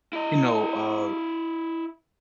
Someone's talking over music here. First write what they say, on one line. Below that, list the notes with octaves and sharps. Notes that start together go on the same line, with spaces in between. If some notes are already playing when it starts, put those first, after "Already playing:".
you know, uh,
E4 D#5